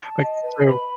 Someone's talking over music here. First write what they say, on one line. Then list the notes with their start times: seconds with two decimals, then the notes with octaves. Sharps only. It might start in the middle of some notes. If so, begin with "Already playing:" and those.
Like, so
0.04 A5
0.23 D#5
0.43 B4
0.68 B5